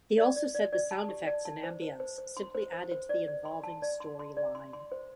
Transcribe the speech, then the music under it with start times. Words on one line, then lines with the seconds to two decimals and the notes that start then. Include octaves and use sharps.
He also said the sound effects and ambience simply added to the involving storyline.
0.18 D5
0.36 D5
0.55 D5
0.73 D5
0.91 A5
1.09 G4
1.27 D5
1.45 A5
1.63 C5
1.82 C5
2.00 C5
2.18 C5
2.37 C6
2.55 C5
2.72 C5
2.91 C5
3.09 D5
3.27 D5
3.45 C6
3.64 A5
3.82 D5
4.00 C6
4.19 C6
4.37 D5
4.55 C6
4.73 C6
4.92 C5